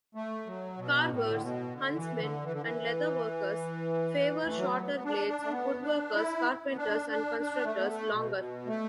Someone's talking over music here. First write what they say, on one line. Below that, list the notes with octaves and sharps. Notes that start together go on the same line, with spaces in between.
Carvers, huntsmen and leatherworkers favour shorter blades; woodworkers, carpenters and constructors longer.
A3
F#3
B2
A2
D3
B2
D3
E3
D3
E3
D3
E3
A3
F#3
A3
B3
B3
D4
D4
A3
B3
D4
E4
B3
D4
D4
D4
A3
B3
A3
B2
B2
A3